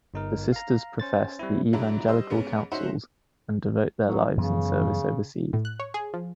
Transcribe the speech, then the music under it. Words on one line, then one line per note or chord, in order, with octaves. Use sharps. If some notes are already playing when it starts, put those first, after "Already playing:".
The sisters profess the evangelical counsels and devote their lives in service overseas.
G1 D#4 A#4
F5 A#5
C#4 C5 A6
G3 C4 E4
G#2 F#3 D4 E4 A#5
G3 C5 D#5 E6
G#2 B3 C#4
C#4 D#4 F#4 C5 E5 F#5
F#3
F#2 C#3 E3 B3
A2
F#6
C#5
G#4
F3